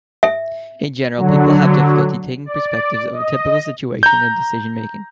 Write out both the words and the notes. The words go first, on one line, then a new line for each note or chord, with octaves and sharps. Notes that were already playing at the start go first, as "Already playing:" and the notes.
In general, people have difficulty taking perspectives of a typical situation and decision making.
E5
D3 F#3
D5
D#5
A#5 G6